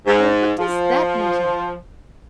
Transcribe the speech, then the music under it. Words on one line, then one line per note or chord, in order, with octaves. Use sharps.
'Oh, what DOES that matter!
G#2
F3